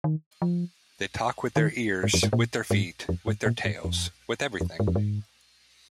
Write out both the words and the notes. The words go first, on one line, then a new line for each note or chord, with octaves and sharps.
They talk with their ears, with their feet, with their tails — with everything.
D#3
F3
D#3
G#2
F2
G#2
A#2
G#2
F2
G#2
A#2
G#2
F2
F2
G#2
F2
G#2